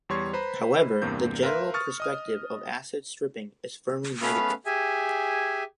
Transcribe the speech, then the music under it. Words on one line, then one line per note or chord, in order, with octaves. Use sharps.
However, the general perspective of asset stripping is firmly negative.
E2 G3 C#5 C6 C#6 G#6
B4 C5 A#5 B5
E2 G2 C3 A#3 G6
A#4 B4 E5 F5 C6
C#6 D#6 F6 A6
D#5 D#6 F6
A3 B3 C#4 B4 F5
G4 G#4 E5 G#5